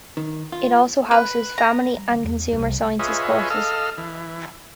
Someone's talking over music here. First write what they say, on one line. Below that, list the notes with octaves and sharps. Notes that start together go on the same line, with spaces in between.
It also houses family and consumer sciences courses.
D#3
F4
B4
A#5
G3
D3
E2
C2
F4 G#4 B4 C#5 D#5 E5
A4 D#5 F5 E6 F6
E3